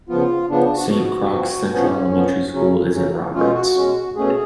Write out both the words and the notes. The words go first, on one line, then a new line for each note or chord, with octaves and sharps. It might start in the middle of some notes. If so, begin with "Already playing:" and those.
Saint Croix Central Elementary School is in Roberts.
C#3 F3 B3 F4
C#3 F3 B3 D4
D4
F#4
F3 B3 F#4
F3 B3
F3 B3 C#4
F3 B3
C#3 F#3 C#4
C#3 F#3 C#4
B2 G#3 C#4 F4
F#4
B2 G#3 C#4
B2 A3 C#4 G#4